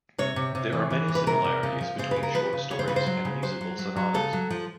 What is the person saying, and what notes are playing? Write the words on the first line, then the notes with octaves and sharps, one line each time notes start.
There are many similarities between short stories and musical sonatas.
C3 C#5
C3
C3
E3
E3
C3
B4
C3 A#4
C3
C#3
F3
C#3 C5
B4
C#3
A#4
F3 B4
C#3
C#3 C#5
C5
C#3 B4
C5
F#3
C#3
F#3 C5
F#3
F#3
F#3
C#3 A4
F#3
F3